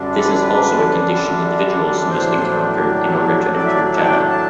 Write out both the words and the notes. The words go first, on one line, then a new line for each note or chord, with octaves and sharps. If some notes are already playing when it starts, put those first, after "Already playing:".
This is also a condition individuals must encounter in order to enter Jannah.
Already playing: F#2 D3 G3 D4
A4
B4
A4
B4
A2 F#3 A3 D4 C5
D5
E5
D5
F#5
G5
F#5
A5